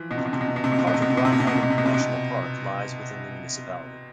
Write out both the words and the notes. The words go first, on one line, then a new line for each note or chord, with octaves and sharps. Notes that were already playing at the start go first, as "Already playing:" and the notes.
Part of Reinheimen National Park lies within the municipality.
Already playing: E3 F3
B2
C3
B2
C3
B2
C3
B2
C3
B2
C3
B2
C3
B2
C3
B2
C3
B2
C3
B2
C3
B2
C3
B2
C3
B2
C3